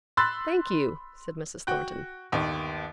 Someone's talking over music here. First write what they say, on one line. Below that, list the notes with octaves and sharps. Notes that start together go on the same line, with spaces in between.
'Thank you,' said Mrs. Thornton.
B5 C6 E6 F#6 A6
F#4 G5 F#6
G1 D#2